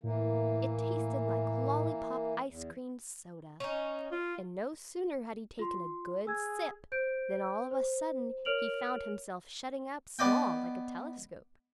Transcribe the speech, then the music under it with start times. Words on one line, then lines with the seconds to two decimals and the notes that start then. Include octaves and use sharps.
It tasted like lollypop ice cream soda, and no sooner had he taken a good sip than all of a sudden he found himself shutting up small, like a telescope.
0.03 A2 E3 A#3
2.47 E2
3.60 C#4 D#4
4.12 F4
5.59 F4 C6
6.27 G#4 E6 G#6
6.92 C5 G6 D7
7.71 C5
8.45 A#4 C#5 F6 D7 F7 F#7
10.19 B3 D5 D#5 G5